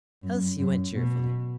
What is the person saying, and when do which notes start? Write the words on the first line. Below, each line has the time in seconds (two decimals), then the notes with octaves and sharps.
Elsie went cheerfully.
0.23 F#2
0.59 F#2
0.94 B2